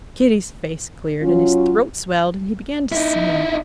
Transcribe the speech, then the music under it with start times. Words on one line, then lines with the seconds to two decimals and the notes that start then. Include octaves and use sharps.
Kitty's face cleared, his throat swelled and he began to sing.
1.22 F#3 C#4 F4
2.92 D#4 E4